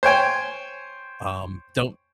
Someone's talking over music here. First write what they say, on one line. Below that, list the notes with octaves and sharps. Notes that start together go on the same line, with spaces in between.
um, don't
C5 C#5 G5 G#5